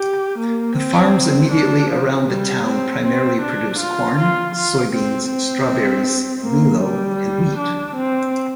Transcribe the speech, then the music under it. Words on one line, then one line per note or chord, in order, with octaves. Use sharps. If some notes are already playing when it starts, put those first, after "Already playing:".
The farms immediately around the town primarily produce corn, soybeans, strawberries, milo, and wheat.
Already playing: G4
A#3
C4
D4
F3
G3
C4
C4
D4
F4
F4
F4
C4
C4
A#3
G3
D4
C4